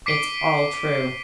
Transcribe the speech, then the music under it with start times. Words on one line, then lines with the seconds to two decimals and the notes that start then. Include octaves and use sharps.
"It's all true."
0.06 D6 B6 C7 D7 D#7 G7